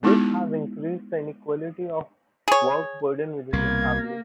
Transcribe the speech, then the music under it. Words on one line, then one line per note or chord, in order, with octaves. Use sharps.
This has increased the inequality of work burden within the family.
G#3 B3 D#4 E4 G4
G#4 C#5
C2 B2 A#3 G#6